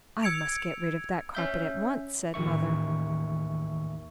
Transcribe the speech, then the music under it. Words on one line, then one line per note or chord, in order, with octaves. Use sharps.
'I must get rid of that carpet at once,' said mother.
E6 G#6 C#7 D7 F7
C#4 E5 G6
A1 D#2 D#3 E5 C#6